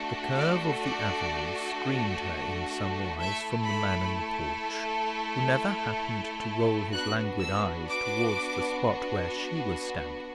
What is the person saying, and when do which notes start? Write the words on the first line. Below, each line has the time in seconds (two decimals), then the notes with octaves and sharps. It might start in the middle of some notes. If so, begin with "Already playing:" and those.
The curve of the avenue screened her, in some wise, from the man in the porch, who never happened to roll his languid eyes towards the spot where she was standing.
Already playing: A3 D4 F#4 A4
0.38 D5
0.85 D5
3.18 A3 E4 A4 E5
3.65 B5
6.93 B3 D4 F#4 F#6
7.39 E6
7.86 D6